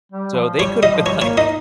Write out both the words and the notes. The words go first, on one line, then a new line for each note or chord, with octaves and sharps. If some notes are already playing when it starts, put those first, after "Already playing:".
So they could have been, like,
G3
F3
G3 C#5
D#5
F3
G3 C#5
A#3 C#5
D#4 D#5